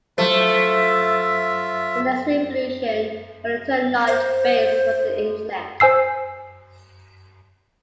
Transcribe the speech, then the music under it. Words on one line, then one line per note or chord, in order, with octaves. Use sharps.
The next evolution for the term knowledge-base was the Internet.
F#3 A3 F4 C5 E5
C5
C5 G#5 E6 C7